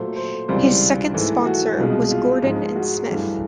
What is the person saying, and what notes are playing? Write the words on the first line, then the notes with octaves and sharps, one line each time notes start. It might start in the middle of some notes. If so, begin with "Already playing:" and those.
His second sponsor was "Gordon and Smith".
Already playing: A#2 F#3 A3 C5
C5
C#2 C3 E3 G3 C5
G#2 E3 A3
F#4
C2 B2 G#3 F4
F4
G#2 F3 G#3
F#4
G2 E3 A3